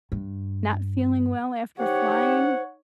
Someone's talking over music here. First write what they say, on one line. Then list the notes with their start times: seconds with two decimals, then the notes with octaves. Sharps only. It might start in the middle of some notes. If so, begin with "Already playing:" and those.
not feeling well after flying,
0.12 G2
1.79 D#4 G4 C5 C#5 F#5